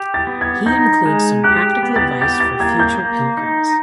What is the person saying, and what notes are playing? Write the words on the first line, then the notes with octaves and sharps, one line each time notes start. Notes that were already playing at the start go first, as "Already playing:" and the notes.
He includes some practical advice for future pilgrims.
Already playing: G4
A6
B3
G#6
D#4 G6
G#3
G4 F#6
B3
A6
G4 A6
A6
A#3 G#6
G6
A#3
D#4